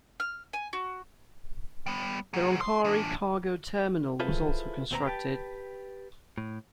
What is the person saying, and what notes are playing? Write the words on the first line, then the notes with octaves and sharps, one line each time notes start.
The Roncari cargo terminal was also constructed.
F6
G#5
F#4
G3 B3
F#3 G#4
C6
E3 D4
E4 F4 G#4 A4 B4 C5
D2 A#2 C4 A4 B4 A#5
G4 B4 G5 A5
A2